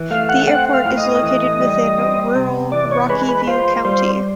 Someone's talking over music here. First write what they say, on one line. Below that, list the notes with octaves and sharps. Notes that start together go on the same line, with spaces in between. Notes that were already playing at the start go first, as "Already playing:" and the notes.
The airport is located within rural Rocky View County.
Already playing: E3
A3 F5
F#5
C4 F#5
F5
A2
D#5
E3
G3
C4
C3
E3 D5
C#5
G#3 B4
B4
F4 C5
G3 C5